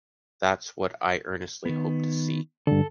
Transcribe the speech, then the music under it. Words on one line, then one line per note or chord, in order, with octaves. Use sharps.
That’s what I earnestly hope to see.
D#3 B3
G2 D3 A4